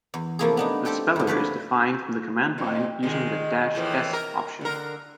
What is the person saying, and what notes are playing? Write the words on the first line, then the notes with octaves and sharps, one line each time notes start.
The speller is defined from the command line using the -s option.
E2
C3 F3 A3 A#3 E4 G#4
B3 D4 D#4
C4 G4 A4 G5
G2 D3
F3 B4 C#5 D5
F2 A#2
A#2 D#3 G#3
A2 E3 F3
A#4
D3 A#4